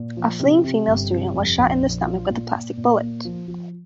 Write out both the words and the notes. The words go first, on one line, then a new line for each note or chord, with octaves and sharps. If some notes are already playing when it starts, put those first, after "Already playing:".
A fleeing female student was shot in the stomach with a plastic bullet.
Already playing: A#2
F3
C3
C3
G1
C3
F2
A#1
A#1
F4
A#2
A#2
A#2
A#3
F3
F3